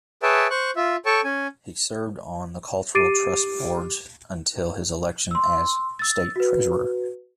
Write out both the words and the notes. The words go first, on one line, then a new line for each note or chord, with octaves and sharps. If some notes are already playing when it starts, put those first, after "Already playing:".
He served on the Cultural Trust's board until his election as State Treasurer.
G#4 B4 C#5 E5 G5 A5
C5 C#6 F#6
F4 E5
A4 C#5 G5 A5 C#6
C#4 G#5
G4 D6 A6 C7 D7 D#7
C6 E6
E6 A6
F#4 B4